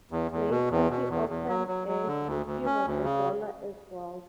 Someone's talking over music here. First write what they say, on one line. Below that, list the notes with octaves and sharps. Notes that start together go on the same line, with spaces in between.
Later he opened a "Yeshiva Gedola" as well.
E2
E2
B2
E2
B2
E2
E2
F#3
F#3
F#3
D3
D2
D2
C#4
D2
C#3